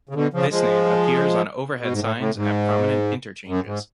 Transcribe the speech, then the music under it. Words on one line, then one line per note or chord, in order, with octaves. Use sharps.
This name appears on overhead signs at prominent interchanges.
C#3
B2 D3
C#3 F3
F3 G#3
B2
G#2
A2
A2
G#2
F#2
G#2